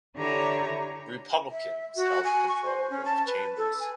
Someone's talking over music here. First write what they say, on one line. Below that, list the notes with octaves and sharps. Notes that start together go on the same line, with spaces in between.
Republicans held control of both chambers.
D3 E4 G4 C#5 A#5
E5
F#4
G#5
C#6
C5
C#4
A5
B4
A4
G#5